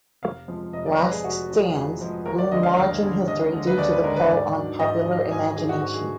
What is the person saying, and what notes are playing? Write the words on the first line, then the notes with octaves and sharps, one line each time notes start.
Last stands loom large in history due to the pull on popular imagination.
F1 F5
F2 F3 G#3
F1 D#5
D5
F2 F3 G#3 B4
G#4
F1 F#4
F2 F3 G#3
F1 G#4
F2 F3 G#3
D#2 A#4
D5
D3 G#3 D#5
F5
D#2 F5
D3 G#3
D#2 D#5
D3 G#3
B4
D#2 D5
B4
D3 G#3 A#4
B4
G#2 D5
D#3 F#3 D4
G#2 D#5
D#3 F#3 D4
G#2 G#5
D#3 F#3 D4 G#4
F#4
G#2 F#4
G#4